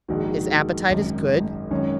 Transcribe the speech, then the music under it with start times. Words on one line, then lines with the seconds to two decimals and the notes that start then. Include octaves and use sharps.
"His appetite is good?"
0.08 A#1 G#2 D#3 F#4
0.89 G#1 F#2 D#3
1.71 G#1 F#2 D#3 C#4